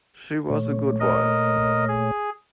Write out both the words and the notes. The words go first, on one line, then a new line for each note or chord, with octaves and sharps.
She was a good wife.
A#2 A3 C#5
A#4 D#5
G#4